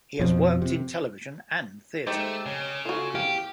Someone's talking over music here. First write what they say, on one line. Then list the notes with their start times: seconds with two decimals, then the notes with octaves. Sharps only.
He has worked in television and theatre.
0.20 F2 B2 F3
0.62 C3
2.07 D#3 G#3 A3 G4 C5
2.46 C#3 C#5
2.86 F4 F#4 A4
3.15 E2 G4 F5